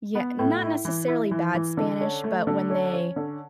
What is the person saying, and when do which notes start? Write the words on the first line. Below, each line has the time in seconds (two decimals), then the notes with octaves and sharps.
Yeah, not necessarily bad Spanish, but when they
0.15 B3
0.39 A2
0.61 E4
0.85 E3
1.08 E4
1.31 E3
1.54 E3
1.77 D3
2.01 C#4
2.24 A3
2.47 D3
2.70 C#4
2.93 C#4
3.16 D3